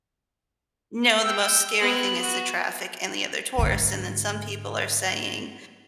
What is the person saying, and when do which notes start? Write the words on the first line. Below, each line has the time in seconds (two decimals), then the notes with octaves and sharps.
"No, the most scary thing is the traffic and the other tourists," and then some people are saying,
1.24 G5 E6
1.79 G#3 B3 C4 F#6
2.21 F#4
3.58 G#2 D3